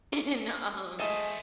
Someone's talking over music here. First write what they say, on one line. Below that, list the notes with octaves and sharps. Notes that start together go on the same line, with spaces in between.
And, um
G#3 A3 A4 C5 D#5 E5 G#5